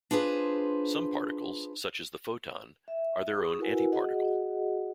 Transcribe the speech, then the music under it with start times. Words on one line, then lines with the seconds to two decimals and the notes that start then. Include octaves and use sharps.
Some particles, such as the photon, are their own antiparticle.
0.11 D4 F4 G#4 B4 C5
2.88 E5
3.34 G#4 B5 C#6 D#6
3.59 E4 F#4 A#4 B4 F#5 G#5
3.92 F#4 G#4 D#5 F#5